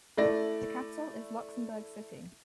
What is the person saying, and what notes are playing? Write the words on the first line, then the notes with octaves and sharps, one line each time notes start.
The capital is Luxembourg City.
A3 E4 D5 A#6